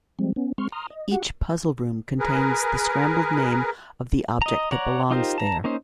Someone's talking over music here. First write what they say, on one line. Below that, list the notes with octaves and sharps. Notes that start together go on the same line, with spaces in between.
Each puzzle room contains the scrambled name of the object that belongs there.
F3 G3 G#3 C4
B3 C#4
G#3 C4 C6 C#6 F6
A#5 C6 D#6 F6
D#5
F#4 G4 F#5
G#4 A#4 B4
D#5 A#5
C#5 D5 F#5 A#5
D#4 F4 G4 A#4 C5
A5 A#5
A#3 C#4 D#4 C5